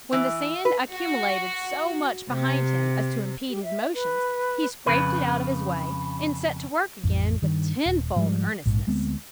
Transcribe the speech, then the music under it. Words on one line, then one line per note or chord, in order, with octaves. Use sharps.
When the sand accumulated so much behind him as to impede his motions he scraped it out of his way, and set to work again with tenfold earnestness.
E3
B4
F#4
C3
G4
E5
B4
F2 C#3 B4
A1 F2
G2 D#3
D#1
G#2 F3 G3 G#3
A#1 G#2
D2 G#3 B3 C4